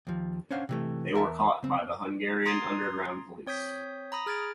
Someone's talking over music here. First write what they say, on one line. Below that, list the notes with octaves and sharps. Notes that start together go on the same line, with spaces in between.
They were caught by the Hungarian underground police.
D#2 F3
C#4 D4 C5 C#5 F5 F#5
C3 E3 A3
E2 A#4 E5 A5
C#3 C4
A#5 C6 D#6 G#6 A6 C7
C4 C#5 D#6 G6 B6
A#5 B5 D#6 A#6
G#4 F6 G#6 A6 D7